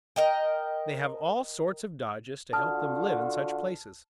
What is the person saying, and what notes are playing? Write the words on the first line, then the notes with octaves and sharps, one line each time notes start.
They have all sorts of dodges to help them live in such places.
A#4 D#5 G5
D3 F4 F#4 A5 D#6 F6